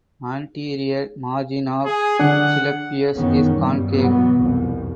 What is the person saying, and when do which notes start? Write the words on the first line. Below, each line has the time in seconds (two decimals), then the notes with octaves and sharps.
Anterior margin of clypeus is concave.
1.85 G#4
2.19 D3 D4 F#5
3.15 F#2 D#3 E3 B3 C#4
3.52 G2 G3
3.93 B2 E3 F#3 B3
4.37 C2 F2